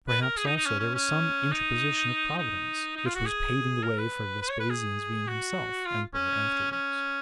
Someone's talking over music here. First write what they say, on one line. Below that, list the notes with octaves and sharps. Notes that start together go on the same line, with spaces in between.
Perhaps also there was some interposition of Providence, which was paving the way for Vespasian's being himself emperor afterwards.
B4
A#4
G#4
D#4
D#4
C#4
C#4
C#4
D#4
D#4
D#4
F4
F#4
G#4
A#4
B4
B4
C#5
B4
G#4
F#4
F4
C#4
C#4